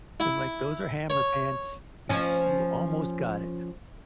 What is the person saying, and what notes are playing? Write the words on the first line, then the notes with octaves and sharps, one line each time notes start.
and, like, those are Hammer pants. You you almost got it.
E4
C#5
F3 C#4